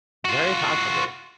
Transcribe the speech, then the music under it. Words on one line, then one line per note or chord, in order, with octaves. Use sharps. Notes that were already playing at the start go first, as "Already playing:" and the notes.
Very possibly.
F4 F#4